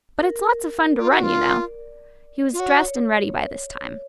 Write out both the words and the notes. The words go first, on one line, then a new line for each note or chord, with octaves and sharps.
"But it's lots of fun to run, you know." He was dressed and ready by this time.
A#4
F4 D5
F#4
F4
F4
F#4 C#5